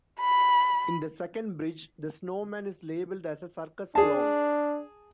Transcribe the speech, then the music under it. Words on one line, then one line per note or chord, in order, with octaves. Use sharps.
In the second bridge, the snowman is labeled as a "circus clown".
B5
D4 G#4 A5